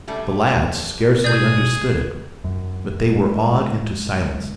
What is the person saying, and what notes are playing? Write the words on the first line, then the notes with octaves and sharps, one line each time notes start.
The lads scarcely understood it, but they were awed into silence.
C#3 G3 A3
B2 G#4 D5 G6
F#2
G#2